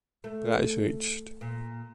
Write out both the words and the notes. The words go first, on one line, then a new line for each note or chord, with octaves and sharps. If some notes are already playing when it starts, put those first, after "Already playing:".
Price reached.
A3
A#2